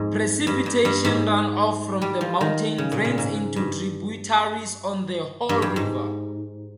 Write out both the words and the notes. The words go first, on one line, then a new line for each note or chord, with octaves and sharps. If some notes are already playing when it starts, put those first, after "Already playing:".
Precipitation runoff from the mountain drains into tributaries of the Hoh River.
Already playing: F2 G#2
G2
G2
G2
G#2
G3
F3
D#3
C#3
A#2
A#2
G#2
G2
G2
G2
G#2